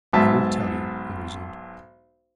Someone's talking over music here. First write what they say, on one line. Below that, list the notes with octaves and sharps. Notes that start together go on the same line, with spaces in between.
"I will tell you," he resumed.
B1 G#2 E5 A5